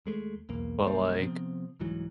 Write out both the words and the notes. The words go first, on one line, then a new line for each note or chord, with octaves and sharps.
but, like
D#2 G#3 A3
B1 E2 A#3
B1 G3 A#3
C3 F3 B3 C4
C2 G#2 E3 F#3